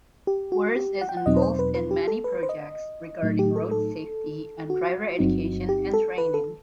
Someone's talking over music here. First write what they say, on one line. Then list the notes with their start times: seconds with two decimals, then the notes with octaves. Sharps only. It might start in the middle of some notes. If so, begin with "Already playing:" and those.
Wurz is involved in many projects regarding road safety and driver education and training.
0.27 G4
0.52 F#4
0.76 G4
1.01 F#5
1.09 G5
1.17 F#5
1.26 E2 B2 F#3 C4 D#4 D#5
1.36 B4
1.42 C5
1.59 B4
1.74 B4
1.91 G4
2.07 A4
2.24 B4
2.43 C5
2.49 D#5
3.22 A2 F#3 A3 D#4
3.39 G4
3.56 A4
3.71 A4
4.70 F#4
5.19 G1 G2 F#3 C4 D#4
5.69 G4
5.94 A4
6.18 B4
6.34 A4